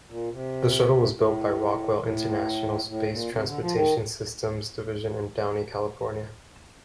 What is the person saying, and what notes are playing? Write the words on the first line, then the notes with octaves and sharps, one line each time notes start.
The shuttle was built by Rockwell International's Space Transportation Systems Division in Downey, California.
A#2
C3
A2
A2
A2
A#2
C3
D3
F3
D#3